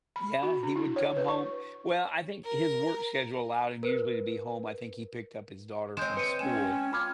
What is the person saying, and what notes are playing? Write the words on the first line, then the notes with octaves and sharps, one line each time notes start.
yeah, he would come home well, I think his work schedule allowed him usually to be home I think he picked up his daughter from school
B5
F#4
D4
E4
C#5
B4
C#6
A#4
A#4 B4
G#3 C4 C#5 G6 E7
B4 C#7 D#7
C#4 G5 G#5 E7
F4 B5 D6 F6 G#6